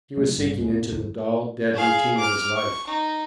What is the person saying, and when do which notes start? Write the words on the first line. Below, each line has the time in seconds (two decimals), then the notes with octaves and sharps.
He was sinking into the dull, dead routine of his life.
0.17 C#3 F#3 A3 A#3
0.36 G#1 G2 G3
0.57 E1 C#2 G#3
0.70 F1 A#3 B3
0.89 D#1 G#1 F2 D3
1.75 G#4 F5
2.18 D6 F6
2.56 C#6
2.88 D#4